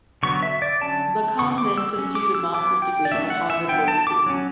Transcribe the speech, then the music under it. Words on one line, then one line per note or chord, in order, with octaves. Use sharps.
Bakan then pursued a master's degree at Harvard Law School.
D3 F#3 B3 C#6
E5
D5
D3 F#3 C#4 A5
C#3 E3 C#6
D6
E6
F#3 C#4
D6
E6
F#3 B3 D6
G5
D5
F#3 A3 C#4 E5
F#5
E5
F#3 B3 G5
A5
D6
F#3 C#4